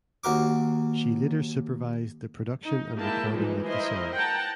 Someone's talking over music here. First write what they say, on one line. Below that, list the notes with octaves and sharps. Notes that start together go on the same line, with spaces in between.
She later supervised the production and recording of the song.
D#2 F#4 A#4 D6
D#4
G#3 A#3 E4 G5 A5
E3 F3 G3 G#3 D#4
E4 A#4 C5 D#5
F#5 G5 A5 A#5